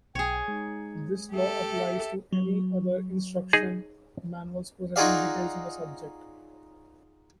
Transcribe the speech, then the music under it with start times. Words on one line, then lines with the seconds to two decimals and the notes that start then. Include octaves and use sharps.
This law also applies to any other instruction manuals possessing details on the subject.
0.15 B1 G#4 C#5 G5
0.48 G#3 D#4
1.33 G4 A4 E5
1.71 E5
2.33 F#3
3.53 D#4 G#4
4.96 D#4 F4 F#4 G#4 D5 F5